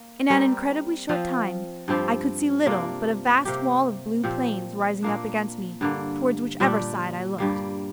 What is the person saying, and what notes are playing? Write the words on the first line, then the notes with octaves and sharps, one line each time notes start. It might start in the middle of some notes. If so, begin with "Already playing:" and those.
In an incredibly short time, I could see little but a vast wall of blue plains rising up against me, towards whichever side I looked.
Already playing: A#3
G3 C4 A#4
F3 C4 F4
G2 F3 C4 G4
C3 A#3 D4 F4
C3 A#3 G4
A#2 F3 C4 G4
A#2 A#3 D4
G2 D3 A#3
A#2 G3 D4
G2 G3 A#3